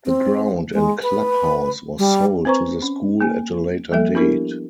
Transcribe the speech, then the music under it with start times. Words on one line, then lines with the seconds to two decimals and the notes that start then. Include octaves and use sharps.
The ground and clubhouse was sold to the school at a later date.
0.06 C4
0.73 G#3
1.02 B4
1.99 G3
2.45 C4 B4 C5 A#5 C#6
2.82 C#4
3.21 A#3 G#5
3.92 F3 G3 A#3 A4 E5
4.15 B3 D4 E4 G4 A#4